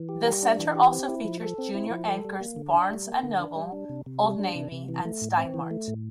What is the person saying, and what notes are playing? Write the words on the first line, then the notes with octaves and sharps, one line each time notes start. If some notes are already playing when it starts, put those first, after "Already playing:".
The center also features junior anchors Barnes and Noble, Old Navy, and Stein Mart.
Already playing: E3
G4
G3
D4
E3
G4
C4
E4
F3
A4
C4
E4
F3
A4
G3
A#3
D3
D4
G3
A#3
D3
D4
G3
D4
C3
C3
G3
D4
C3
C3
E3
A3
A2
C4
E3
A3
A2